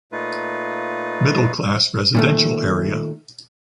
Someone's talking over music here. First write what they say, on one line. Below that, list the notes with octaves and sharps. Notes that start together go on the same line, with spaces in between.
Middle class residential area.
A#2 A3 D#4 F4 B4
A#2 D#3 A3